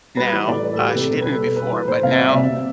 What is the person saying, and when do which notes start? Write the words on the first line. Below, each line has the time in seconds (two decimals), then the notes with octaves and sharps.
now- uh, she didn't before- but now,
0.17 G3 B4
0.33 E3
0.48 A2 D5
0.63 G3 B4
0.73 A4
0.79 E3 G4
0.88 B4
0.94 C3 A4
1.10 B2 B4
1.22 G3 B4
1.33 A4
1.41 B2 B4
1.57 G3 B4
1.72 E3 B4
1.88 A2 C5
2.03 C3 F5
2.12 E5
2.19 G3 D5
2.29 E5
2.34 C3
2.50 C3